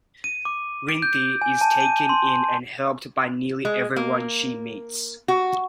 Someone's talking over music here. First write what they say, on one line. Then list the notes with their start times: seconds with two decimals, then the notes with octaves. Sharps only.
Rinthy is taken in and helped by nearly everyone she meets.
0.24 D#7
0.45 D6
0.89 D7
1.02 G6
1.42 G#5
1.61 A5
1.80 D#7
2.09 C6
3.65 G#3
3.96 A#3
5.28 F#4